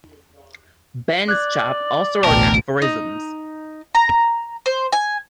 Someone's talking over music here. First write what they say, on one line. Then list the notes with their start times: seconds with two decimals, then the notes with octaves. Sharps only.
Benschop also wrote aphorisms.
1.29 D5 F#6 G#6
2.24 A1 D2 B2 A#4 G5 A5
2.82 D#4
3.95 A#5
4.66 C5
4.92 G#5